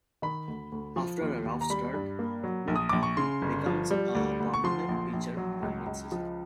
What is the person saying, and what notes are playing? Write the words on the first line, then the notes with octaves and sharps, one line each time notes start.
After a rough start, Nuke becomes a dominant pitcher by mid-season.
D#3 B5
D2
D2
F3
D#2
D#2
A#5
G3 B5
G2
A#3
F#3
A#1
D#6
A#1 D6
C#6
C#3 C6
G1
F3
G3
D2
D2
C#6
F3 C6
A#1
A#1
F#3
C#2
C#2
F3